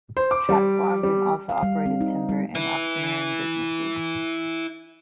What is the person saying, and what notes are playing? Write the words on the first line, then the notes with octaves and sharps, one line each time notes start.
Trapp farmed and also operated timber and auctioneering businesses.
C5
D6
G3
G3
F5
G3
C4
D#4
G3
E4 B4